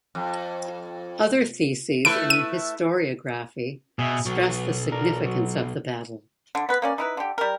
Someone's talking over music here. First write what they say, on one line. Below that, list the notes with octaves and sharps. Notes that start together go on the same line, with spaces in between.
Other theses in the historiography stress the significance of the battle.
F2
A3 E4 B4 D7
D#7
B2 G#4 E5
B1 F#3
D4 A#4
F#3
D3
B3 B4
A#3 C#4 D5
D#4 E4 B4
D3 G4
G3 A#4